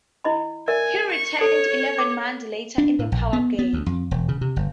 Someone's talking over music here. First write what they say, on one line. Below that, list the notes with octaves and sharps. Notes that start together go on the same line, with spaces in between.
He returned eleven months later in "The Power Game".
E4 D#5 B5
A#4 D5 E5 G#5
C#6
A4 C#5
D6
D4
A2
A#1
B3
B3
D2
F2
E1
C#3
C3
G1